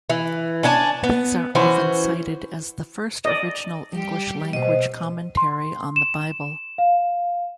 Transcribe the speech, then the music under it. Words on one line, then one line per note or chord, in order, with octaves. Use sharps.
These are often cited as the first original English language commentary on the Bible.
E3
C#4 D4 G#5 A5
B3
E3 C#4 F#4 C5
D5 D#5
G3 G4
B2 C5 D#5
C6
E7
F5